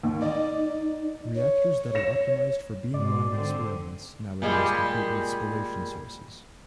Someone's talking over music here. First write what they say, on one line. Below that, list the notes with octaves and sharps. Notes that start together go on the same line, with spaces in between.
Reactors that are optimised for beamline experiments nowadays compete with spallation sources.
D#2
D#4 D5 D#5
C#5
A#6 C#7 E7
G#2 B2 G#3 D5
D3 C4
A#2 G3 G#3